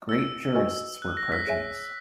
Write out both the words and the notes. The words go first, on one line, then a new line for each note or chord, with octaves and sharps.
Great jurists were Persians.
E6
F#4 B4 D#5 G#5
F#6
A#6
B6
G#4 C#5 E5 G#5